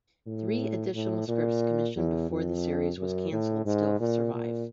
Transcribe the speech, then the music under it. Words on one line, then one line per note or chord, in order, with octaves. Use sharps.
Three additional scripts commissioned before the series was cancelled still survive.
A2
A2
A#2
E2
F2
F#2
A2
G#2
A#2
A#2